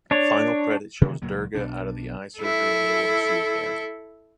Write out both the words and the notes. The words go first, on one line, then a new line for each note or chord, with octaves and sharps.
Final credit shows Durga out of the eye surgery and able to see again.
D4 C#5
C3 D#3 E3 A#3
C#2 A#2 F#3 A#3
B1 B2 D4
E4 A4